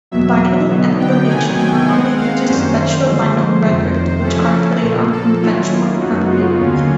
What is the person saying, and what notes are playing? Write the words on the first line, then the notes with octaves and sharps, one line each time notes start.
Vinyl emulation normally uses special vinyl records which are played on conventional turntables.
E2 B2 F#3 E5
D3 F#3 B3 D#4
G5
C3 D#3 F#3 B3 G#5
G5
D#3 G#3 C4 F#5
F5
F#2 D#3 G3 A#3 C#4 C5
D3 F3 G#3
F2 C3 D#3 C5
C#3 F3 A3 C#4 E4 A4
A#2 F3 A#3
A4
D#3 F#3 A#3 C#4 E4 F4
F4
F#2 C#3 F#3 B3 D#4 F#4
F4
D#2 D3 F#3 A#3 C#4